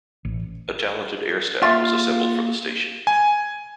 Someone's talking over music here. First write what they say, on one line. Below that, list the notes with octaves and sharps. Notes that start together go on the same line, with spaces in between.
A talented air staff was assembled for the station.
A1
A#3 F4 E5 A6
G#5